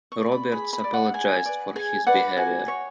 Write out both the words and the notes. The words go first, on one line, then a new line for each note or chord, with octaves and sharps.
Roberts apologised for his behaviour.
C#6
D5
B5
G#4 B5
B5
D5
F#5
G#4 G#5
B4 D5
G#4 G#5
B4 D5 F#5
F#4 G#5
C#5